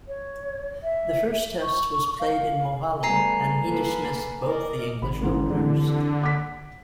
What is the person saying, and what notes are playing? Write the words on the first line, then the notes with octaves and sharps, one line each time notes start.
The first Test was played in Mohali, and he dismissed both the English openers.
C#5
E5
C#6
F5
G3 A3 B3 G#5 A#5 C7
A#3 A4 B4
A#4 D5 D#5
G#1 B5
G#2 C#3 E3
F1 D3 E3
F#5 D6 B6